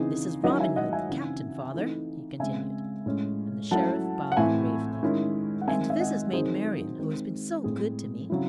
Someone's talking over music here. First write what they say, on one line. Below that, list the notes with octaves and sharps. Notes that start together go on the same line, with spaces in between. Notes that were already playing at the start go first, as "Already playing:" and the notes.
"This is Robin Hood, the captain, father," he continued, and the Sheriff bowed gravely; "and this is Maid Marian, who has been so good to me."
Already playing: C#3 E3 C4 D#4 G#4
D#3 F#3 C#4 E4 D#5 F#5
E5 G#5
D#5 F#5
E5 G#5
C#3 E3 C4 D#4
E3 A3 C4 D#4
C#3 G#3 C4 E5 G#5
A2 G#3 C#4
F#3 A3 C#4 E4 F#5 A5
F#5
A2 E3 C4 E4 E5 G#5
D#3 G#3 C#4 E4
F#5
D#3 G#3 C4 E5 G#5
E5
D#5 F#5
D#3 F#3 C4 D#4 G#4 C5
D#3 G#3 C4
A2 G#3 C4 G#4
C#3 F#3 C4 E4